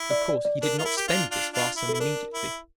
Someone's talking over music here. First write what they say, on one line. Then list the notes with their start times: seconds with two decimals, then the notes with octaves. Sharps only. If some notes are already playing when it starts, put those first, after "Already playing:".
Of course, he did not spend this vast sum immediately.
Already playing: E4
0.10 D5
0.29 D5
0.45 D5
0.62 D4 A#4
0.79 F4
0.85 E4
0.97 G4
1.08 D4 F4
1.31 D4 F4
1.53 D4 F4
1.77 E4
1.89 A4
1.94 E4
2.00 D4 A#4
2.34 E4